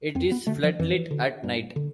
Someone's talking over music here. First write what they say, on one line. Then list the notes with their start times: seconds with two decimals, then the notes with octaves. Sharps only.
It is floodlit at night.
0.15 F2 C4
0.32 B3
0.47 D3 A3
0.63 F3
0.79 F2 E3
1.11 D3
1.44 G2
1.76 D3